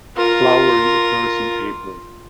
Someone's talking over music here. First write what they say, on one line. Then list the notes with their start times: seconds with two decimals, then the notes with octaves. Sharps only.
Flowering occurs in April.
0.16 F4 A#4